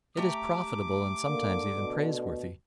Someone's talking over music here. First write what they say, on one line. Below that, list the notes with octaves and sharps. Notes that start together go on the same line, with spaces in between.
It is profitable and sometimes even praiseworthy.
A3 G4 A#5 D6
D3 A#3
B2